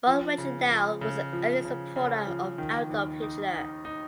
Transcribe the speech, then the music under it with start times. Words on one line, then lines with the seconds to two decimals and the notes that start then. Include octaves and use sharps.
Von Reichenau was an early supporter of Adolf Hitler.
0.07 F3
0.38 C#3
0.70 F3
1.01 C#3
1.33 F3
1.65 C#3
1.96 C#3
2.27 F3
2.58 D#3
2.90 D#2
3.22 D#4
3.54 D#4
3.85 D#4